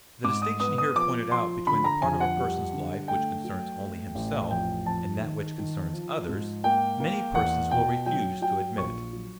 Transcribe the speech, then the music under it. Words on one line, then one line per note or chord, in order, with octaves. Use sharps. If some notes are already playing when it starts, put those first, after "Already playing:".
The distinction here pointed out between the part of a person's life which concerns only himself, and that which concerns others, many persons will refuse to admit.
G#2 D6
D#6
B3 D#6
D#6
F3 D6
F3 C6
D3 B5
A#5
F2 G#5
F#5
G3
D3
A3 G5
F#3
A3
A1
F2 G5
F2 A5
D#3
D#3
F3
G#2
A#3 G5
A#3
E2 F#5
B2 G5
F#3 G5
F#3 G5
A#1 C#6
F#3